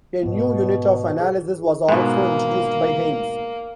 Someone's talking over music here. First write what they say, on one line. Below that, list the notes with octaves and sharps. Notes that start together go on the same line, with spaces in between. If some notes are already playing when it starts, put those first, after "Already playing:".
A new unit of analysis was also introduced by Hymes.
G#2 B2 B3
G#4
G#2 B2 A#3